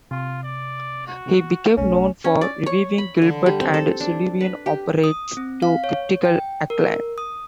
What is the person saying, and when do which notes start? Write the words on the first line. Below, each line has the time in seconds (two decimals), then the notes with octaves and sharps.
He became known for reviving Gilbert and Sullivan operettas to critical acclaim.
0.11 C3 F4
0.43 D5
1.07 F#4
1.77 B1 A3 B3 C#4
2.24 C#4
2.41 D5
2.66 C#5
2.98 B5
3.22 D3
3.46 G3
3.61 C4
3.74 A4
4.00 D4
4.41 B4
4.66 G4
5.04 D#6
5.37 C4
5.62 F5
5.84 C#5
6.25 G5
6.70 A#4
7.18 D#6